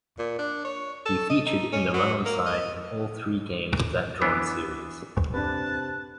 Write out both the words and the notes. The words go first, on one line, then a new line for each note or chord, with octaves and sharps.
He featured in the run-on side in all three games of that drawn series.
A#2
D4
C#5
A4
D#5
D#4
C#4
F#3
A#3
D#5
E3 B3 D4
C3 D4 B4 A5 F#6